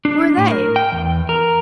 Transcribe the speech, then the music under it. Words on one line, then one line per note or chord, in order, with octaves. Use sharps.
"Who are they?"
D4
A2
A#4
G5
E2
A#4